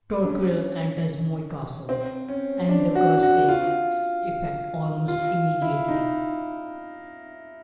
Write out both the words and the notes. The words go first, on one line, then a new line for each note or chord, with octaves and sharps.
Torquil enters Moy Castle, and the curse takes effect almost immediately.
D4
C#4
C4
C#4
D4
F#4
F#4
F4
F4
E4
D#4